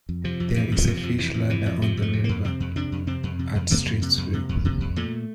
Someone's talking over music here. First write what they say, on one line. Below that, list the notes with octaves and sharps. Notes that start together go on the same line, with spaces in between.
There is a fish ladder on the river at Streetsville.
F2
C3 F3
F2
C3 E3
F2
F3
C3
F3
F2
C3 E3
F2
C3 E3
F2
C3 F3
F2 A3
C3
F2 A#3
C3 C4
F2
C3 D4
F2
C3 C4
F2
C3
F2
C3 A#3
F2
C3
F2
C3
F2
C3
F2
A#2 A3